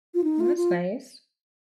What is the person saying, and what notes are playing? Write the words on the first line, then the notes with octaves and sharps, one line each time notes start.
Well, that's nice.
F4
D#4
F4
F4